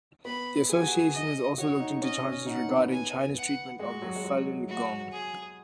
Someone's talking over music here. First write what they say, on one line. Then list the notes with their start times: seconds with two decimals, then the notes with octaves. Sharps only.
The association has also looked into charges regarding China's treatment of the Falun Gong.
0.25 B3 B5
0.69 G#4 G#5
0.81 F#4
0.94 G#4
1.14 D#5
1.58 F#4 C#5
1.80 D#4
2.02 C#4 D#5
2.24 C#4
2.46 D#4 F#5
2.69 B3
2.91 G#5
3.35 F#5
3.79 G#3 F#4
4.02 F#3
4.16 G#3
4.24 F#3
4.69 F#4
5.12 G#4